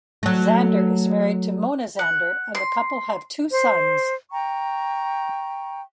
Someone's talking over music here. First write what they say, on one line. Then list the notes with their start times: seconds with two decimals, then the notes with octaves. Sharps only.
Zander is married to Mona Zander, and the couple have two sons.
0.23 F#3 A3
1.99 F#5
2.55 C6
3.50 C5
4.31 G5 A#5 C#6